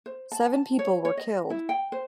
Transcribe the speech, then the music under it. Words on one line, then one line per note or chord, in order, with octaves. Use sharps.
Seven people were killed.
C5
A5
A5
C#5
C#5
D#5
E4
G5
C5